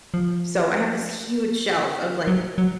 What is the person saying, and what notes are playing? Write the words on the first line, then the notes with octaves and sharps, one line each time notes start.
So, I have this huge shelf of, like,
F3
F#3
F#3